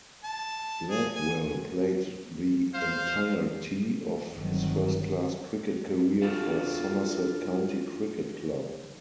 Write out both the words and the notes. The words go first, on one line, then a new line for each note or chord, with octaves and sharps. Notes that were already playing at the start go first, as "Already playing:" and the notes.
Lathwell played the entirety of his first-class cricket career for Somerset County Cricket Club.
A5
G#4
G#5
C5 F5
G1 D#3 F#3 C4
C4 D4 F4 F#4 A4 F5